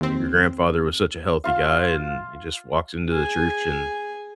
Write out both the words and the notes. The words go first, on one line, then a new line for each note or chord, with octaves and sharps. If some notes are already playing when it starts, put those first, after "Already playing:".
your grandfather was such a healthy guy and he just walks into the church and
D#2 C4
F4 F5
G#4 G#5